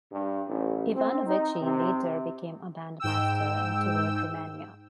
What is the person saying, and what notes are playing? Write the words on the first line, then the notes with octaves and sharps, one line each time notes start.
Ivanovici later became a bandmaster, and toured Romania.
G2
A1
C4
D#4
C3
G#2 G5 E6